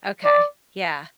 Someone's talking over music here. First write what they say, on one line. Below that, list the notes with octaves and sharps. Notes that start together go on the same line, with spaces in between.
Okay. Yeah.
D5